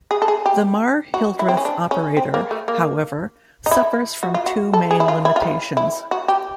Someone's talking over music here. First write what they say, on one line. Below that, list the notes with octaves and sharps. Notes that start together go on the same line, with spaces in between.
The Marr-Hildreth operator, however, suffers from two main limitations.
G#4
A4
G#4
G4
F#4
E4
C4
C#4
D4
C#4
C4
A#3
A3
A#3
D#4
E4
F#4
F4
F#4
A4
G#4
E4
F4
E4
F4
E4
E4
F#4
G4